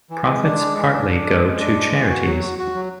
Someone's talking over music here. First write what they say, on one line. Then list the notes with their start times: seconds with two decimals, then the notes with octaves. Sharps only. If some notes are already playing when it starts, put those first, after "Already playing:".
Profits partly go to charities.
0.10 E3
0.27 G#3
0.43 D4
0.59 G#3
0.77 E3
0.93 D4
1.10 D4
1.26 G#3
1.43 G#3
1.60 D4
1.76 G#3
1.93 E3
2.09 F#4
2.25 F#3
2.42 F#4
2.59 F#4
2.75 F#3